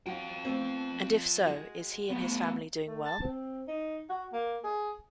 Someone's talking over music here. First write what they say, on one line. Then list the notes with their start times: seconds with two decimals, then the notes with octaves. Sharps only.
And if so is he and his family doing well?
0.06 F4 F#4 G5
0.45 A3 B3 C4
1.46 G#3 F#4
2.10 A3 B3
2.87 A3
3.05 A5
3.22 C4
3.68 D#4
4.10 F#4
4.33 A#3
4.64 G#4